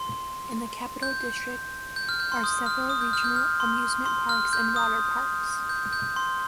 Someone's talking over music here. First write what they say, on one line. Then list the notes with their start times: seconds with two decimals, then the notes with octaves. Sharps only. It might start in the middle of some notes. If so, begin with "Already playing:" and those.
In the Capital District are several regional amusement parks and water parks.
Already playing: C6
1.03 G6
1.96 G6
2.09 F6
2.20 G6
2.32 C6
2.44 D#6
2.66 F6
2.90 D#6
3.01 G6
3.13 F6
3.24 G6
3.36 F6
3.60 C6
4.06 C6
4.29 F6
4.53 G6
4.76 D#6
5.69 G6
5.93 G6
6.16 C6